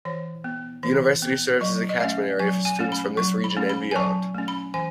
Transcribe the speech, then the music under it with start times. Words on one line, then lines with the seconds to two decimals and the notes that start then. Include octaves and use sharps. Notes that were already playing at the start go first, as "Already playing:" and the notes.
The university serves as a catchment area for students from this region and beyond.
0.05 E3 C#5
0.44 B3
0.83 E3
1.22 B3
1.61 F#3 D#5
1.89 D#5
2.00 A3 C#4 E5
2.39 F#3 G#5
2.65 G#5
2.79 A3 C#4
2.92 B5
3.17 F#3 C#6
3.44 B5
3.57 A3 C#4
3.69 B5
3.91 G#5
3.96 F#3 A5
4.34 A3 C#4
4.48 B5
4.74 E3 G#5